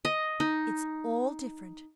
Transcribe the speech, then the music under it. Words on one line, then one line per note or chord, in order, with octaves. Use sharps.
It's all different.
D#5
D#4